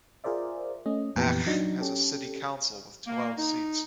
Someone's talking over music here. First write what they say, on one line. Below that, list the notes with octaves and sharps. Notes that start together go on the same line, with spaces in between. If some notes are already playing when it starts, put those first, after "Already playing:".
Aach has a city council with twelve seats.
F4 G#4 A#4 C5 D5 E5
A3 C#4 D#5
F2 A#2 E3 B3 G4 A#5
F#3 D4 D#4 F#4
C#4 G4 A4
A#3
D#4